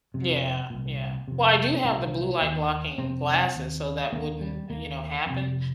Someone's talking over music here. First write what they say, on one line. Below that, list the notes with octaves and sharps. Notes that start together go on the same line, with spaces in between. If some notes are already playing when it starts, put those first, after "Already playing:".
Yeah, yeah. Well, I do have the blue-light-blocking glasses, so that wouldn't, you know, happen.
F2 C3
C2 A#2
F2 C3
C2 A#2 A#3
D#2
F2 C3 C4
D#2
D#2 A#3
G3
D#2 A#3
F2 C3